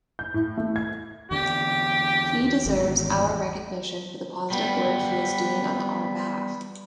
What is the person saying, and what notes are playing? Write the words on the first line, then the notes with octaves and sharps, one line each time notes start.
He deserves our recognition for the positive work he is doing on our behalf.
G6
A2
A3
G#6
E2 D3 G4
G#1 E2 G#2
G3 B3